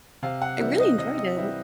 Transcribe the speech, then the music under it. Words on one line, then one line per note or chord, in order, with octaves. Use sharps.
I really enjoyed it.
C3 F5
F#5
E3 G3 C4 E5
D#5
C3 D#5
D#5
E3 G3 C4 E5